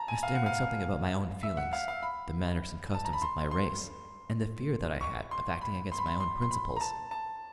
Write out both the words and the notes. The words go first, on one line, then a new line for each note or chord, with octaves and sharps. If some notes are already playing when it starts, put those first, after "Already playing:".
I stammered something about my own feelings--the manners and customs of my race--and the fear that I had of acting against my own principles.
Already playing: A5 A#5
G#5
F5
F#5
F5
E5
F#5
F5
F5
B5
A5
A#5
B5
C6
C6
C#6
C6
B5
C6
B5
C6
C6
C6
B5
A#5
A5
A5